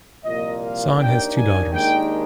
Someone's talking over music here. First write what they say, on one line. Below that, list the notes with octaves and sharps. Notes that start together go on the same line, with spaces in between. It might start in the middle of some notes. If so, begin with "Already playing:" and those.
Sohn has two daughters.
C2 A#2 F3 A#3 D#5
F5
D#2 D#3 A#3 D4 G5
G#5
D#2 D#3 G#3 D4 G5